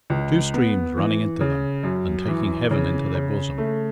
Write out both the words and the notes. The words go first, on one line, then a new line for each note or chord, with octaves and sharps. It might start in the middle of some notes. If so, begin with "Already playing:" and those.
Two streams running into them and taking heaven into their bosom.
C#2
B3
E3
C#3
F#2
E3
C#3
C#3
A3